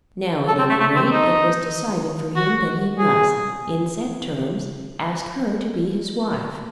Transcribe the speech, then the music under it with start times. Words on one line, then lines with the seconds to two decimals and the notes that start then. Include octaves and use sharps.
Now at any rate it was decided for him that he must, in set terms, ask her to be his wife.
0.48 A4
0.58 C4
0.69 A3
0.80 A3
0.96 C4
1.11 D#4
2.36 F#4
2.99 G#4